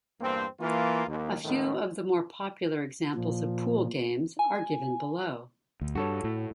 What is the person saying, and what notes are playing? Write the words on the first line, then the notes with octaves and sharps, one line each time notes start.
A few of the more popular examples of pool games are given below.
E2 G2 A#3 C4
E3 A#3 F4
D#2
F2 A2 D#3 G#3 A3 B3
A#2 F3
G#5
D2
G2 F#4 A4 C#5
A2